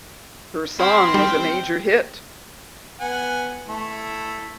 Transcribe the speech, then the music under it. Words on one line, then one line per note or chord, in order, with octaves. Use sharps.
Her song was a major hit.
C4 E4 C6 F6
G3 G5
B3 F#5 G#5
A3 E4